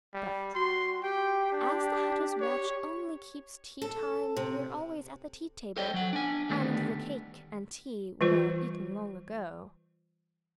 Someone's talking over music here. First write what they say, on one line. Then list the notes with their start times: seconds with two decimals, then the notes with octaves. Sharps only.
"But as the Hatter's watch only keeps tea-time we're always at the tea table, and the cake and tea were eaten long ago."
0.14 G3
0.55 F#4 C6
1.03 G4 G5
1.52 D4
2.40 C#5
3.82 A4
4.37 C3
5.77 A4 C5 C#5 D#5 G5
5.94 F#3 F#5
6.13 D4 G#5
6.49 D3 D#3 G3 A3 B3
8.21 E3 G3 F4 C5